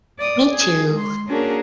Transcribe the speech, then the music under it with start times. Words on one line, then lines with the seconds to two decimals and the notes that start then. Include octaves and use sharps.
Me too.
0.17 D5 D#6
0.51 G#4
0.94 G#3 C6
1.28 A#3 C#4 D4 F#4 G#4 A#4